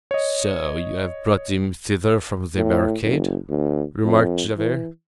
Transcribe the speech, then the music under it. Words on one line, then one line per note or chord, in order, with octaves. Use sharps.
"So you have brought him thither from the barricade?" remarked Javert.
C#5 D#5
A2
F#1
D2
F2
E3